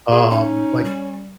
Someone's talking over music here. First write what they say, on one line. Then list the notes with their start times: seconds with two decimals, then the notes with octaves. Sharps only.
um, like,
0.12 G#4
0.31 C#4 D#4
0.85 G3